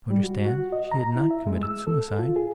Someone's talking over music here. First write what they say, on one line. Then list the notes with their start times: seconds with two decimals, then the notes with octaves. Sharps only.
You understand she had not committed suicide.
0.10 G3
0.23 F#4
0.45 F#4
0.72 D#5
0.91 A#5
1.16 E4
1.31 E5
1.47 G#3
1.63 E6
1.87 A4
2.19 F4
2.36 G#4